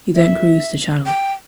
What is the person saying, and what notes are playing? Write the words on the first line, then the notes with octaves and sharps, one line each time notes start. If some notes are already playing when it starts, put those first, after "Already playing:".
He then cruised the Channel.
E5
G5